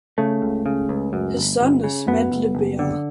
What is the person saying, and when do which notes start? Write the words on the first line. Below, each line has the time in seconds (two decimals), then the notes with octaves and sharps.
His son is Matt Le Ber.
0.18 C#3 A3
0.42 C#2
0.66 C#3
0.89 C#2
1.13 F#2
1.37 G1
1.61 G1
1.84 C#3
2.07 F#2 B3
2.32 F#1
2.55 F#1
2.79 D3